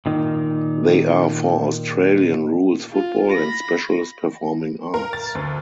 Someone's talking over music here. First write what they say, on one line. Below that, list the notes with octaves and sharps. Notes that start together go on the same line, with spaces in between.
They are for Australian rules football and specialist performing arts.
A#2 D#3
F4
B5 A#6
A#4
A6
D2